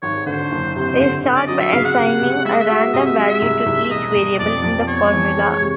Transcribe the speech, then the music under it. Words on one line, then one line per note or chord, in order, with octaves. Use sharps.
They start by assigning a random value to each variable in the formula.
G#1 C#5
D3 C5
F#1
C3
D3 C5
D3
D5
F#3 D#5
E5
C#3 F5
F#5
C3
C3
G#3 E5
D#5
E5
F#4
C3 D#5
E5
G#3 E5
E5
C2
C2
E1 D#5
E1
F2 D5
F2 D5
B3 C#5
E3
G#3
C3